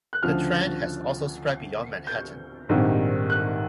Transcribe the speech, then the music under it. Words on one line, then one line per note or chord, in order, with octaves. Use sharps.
The trend has also spread beyond Manhattan.
F#6
D2 C#3 F3 F6
A6
G6
A#1 G#2 D#3 G3 C4
F#6